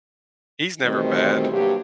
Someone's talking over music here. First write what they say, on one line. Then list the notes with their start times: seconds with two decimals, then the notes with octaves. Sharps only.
He's never bad,
0.85 B2 D#3 E3 G3 A3 C4
1.52 G2 C3 F#3 A#3 G4